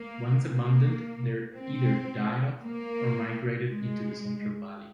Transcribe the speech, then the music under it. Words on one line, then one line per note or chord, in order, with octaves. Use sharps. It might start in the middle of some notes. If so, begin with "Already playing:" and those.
Once abundant, they either died off or migrated into the Central Valley.
Already playing: A#3
A#3
C4
A#3
G#3